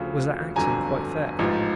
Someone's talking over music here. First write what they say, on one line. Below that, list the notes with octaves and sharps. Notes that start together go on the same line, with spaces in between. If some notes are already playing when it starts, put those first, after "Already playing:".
"Was that acting quite fair?"
Already playing: D2 C#3 F3
G1 F2 D3 F#3 G#5 A#5
A1 G#2 F3